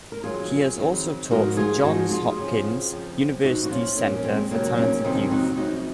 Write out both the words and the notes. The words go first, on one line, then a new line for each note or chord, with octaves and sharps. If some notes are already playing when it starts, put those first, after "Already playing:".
He has also taught for Johns Hopkins University's Center for Talented Youth.
A#4
F2 D#3 F#3 F4 G#4
F2 D#3 F#3
G#2 F3 F#4 A#4
F4 G#4
G#2 F3 D#4 F#4
F4 G#4
F2 C#3 F3
F2 C#3 F3
A#2 F3 D#4 F#4
F#4
C#4 F4
A#2 F3 A#3 C#4
C#4
G#3 C4
F2 C3 D#3 F#3 A#3
A#3 C#4
F2 C3 D#3 F#3 C4 D#4
D#4 F#4
F#2 C#3 F3 D#4 F#4